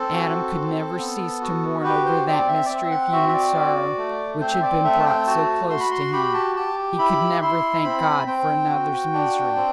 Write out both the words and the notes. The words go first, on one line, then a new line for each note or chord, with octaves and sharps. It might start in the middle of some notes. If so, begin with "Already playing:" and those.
Adam could never cease to mourn over that mystery of human sorrow which had been brought so close to him; he could never thank God for another's misery.
Already playing: C4 A4
F#4
C4
B3
F#4
G4 B4
C5
C4 D5
E5
D5
C4 E5
F#5
F#4 E5
E5
D5
F#4
A3
C4 C5
E5
D5
A3 E5
A5
G5
F#4 A5
F#4 C6
B5
C6
G4 B5
A5
G4 A5
E4 B5
E4 C6
C4 B5
C4 G5
F#4
D4
C4